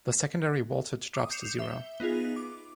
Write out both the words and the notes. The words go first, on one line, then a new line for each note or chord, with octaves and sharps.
The secondary voltage drops to zero.
D6 D#6
G6 C7 C#7 E7 F7
E5 G7
B3 D#4 F4 G#4
D6